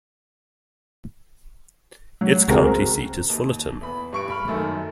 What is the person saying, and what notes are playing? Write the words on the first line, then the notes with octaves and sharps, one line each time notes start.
Its county seat is Fullerton.
F#3
C#2 G#3 C4 F#4 G#4 A#4
D#2
E2 B5
G2 C#6 D7
B5 F6
F#2 D#3 A3